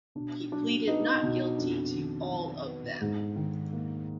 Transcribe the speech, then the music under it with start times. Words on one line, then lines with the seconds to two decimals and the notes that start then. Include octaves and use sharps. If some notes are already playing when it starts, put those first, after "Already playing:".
He pleaded not guilty to all of them.
0.15 B2 D4
0.51 F#3 D4
0.87 B3 D#4
1.23 B2
1.58 F2 D4
1.95 D#3
2.30 F#3
2.65 B3
3.01 G#2
3.36 D#3
3.73 A#3